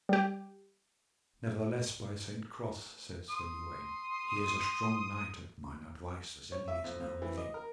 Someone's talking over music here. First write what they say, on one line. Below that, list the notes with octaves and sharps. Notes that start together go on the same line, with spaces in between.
Nevertheless, by Saint Cross, said Sir Uwaine, he is a strong knight at mine advice as any is now living.
G3 G4
C6 D#6
C#5
E5
F2
F2
E3
D#5
A#4